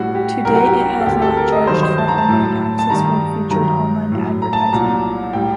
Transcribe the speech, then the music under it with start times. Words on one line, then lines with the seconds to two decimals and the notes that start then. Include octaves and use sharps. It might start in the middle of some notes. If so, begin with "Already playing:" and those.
To date it has not charged for online access or featured online advertising.
Already playing: A2 G3 F#4
0.15 G4
0.45 C2 C3 F#3 A#4
0.55 F#4
0.66 G4
1.00 A4
1.06 D2 C3 G3 G4
1.22 A4
1.37 A#4
1.52 D#5
1.67 G2 D#3 F#3 C5
1.83 C5
1.98 A5
2.08 A#5
2.18 A5
2.29 A2 F#3
2.79 A5
2.90 G2 D#3 G3 A#5
3.51 G2 D#3 F#3 A#5
4.12 A2 F#3
4.42 A#5
4.53 A5
4.73 C2 A#2 F#3 A#5
5.33 A2 G3 G5